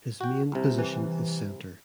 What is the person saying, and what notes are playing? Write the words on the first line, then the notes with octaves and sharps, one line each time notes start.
His main position is centre.
F#4 G5
C2 C3
E3